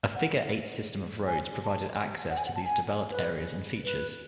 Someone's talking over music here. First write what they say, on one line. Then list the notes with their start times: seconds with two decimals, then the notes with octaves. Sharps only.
A figure-eight system of roads provided access to these developed areas and features.
0.15 F#5
1.26 G#5
1.64 A5
2.31 F#5
2.37 G#5
2.46 F#5
2.56 A5
2.65 G#5
3.11 B4
3.84 B4